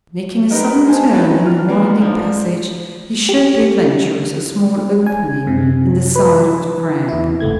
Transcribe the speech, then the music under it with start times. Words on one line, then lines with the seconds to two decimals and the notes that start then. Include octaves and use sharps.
Making a sudden turn in the winding passage he showed the adventurers a small opening in the side of the crag.
0.50 B3 D#4 G4 A#4
0.87 C5 G#5 A5
1.12 D#3 E3 F#3 B4 G5 A6
1.46 F6
1.69 A#3 B3
2.00 G#2 F3 D4
3.29 G4
5.06 G#5
5.47 F#2 C3
6.16 B4
7.09 E2 E4
7.40 G1 C#2 A3 G#6